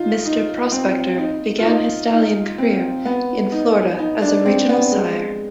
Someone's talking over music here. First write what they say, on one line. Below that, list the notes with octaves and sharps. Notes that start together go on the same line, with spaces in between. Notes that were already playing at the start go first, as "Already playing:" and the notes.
Mr. Prospector began his stallion career in Florida as a regional sire.
Already playing: D#4 F4
D#4
C4
D#4
F4
D#4
D#4
C4
B3
D#4
D#4
D4
C4
B3
G#3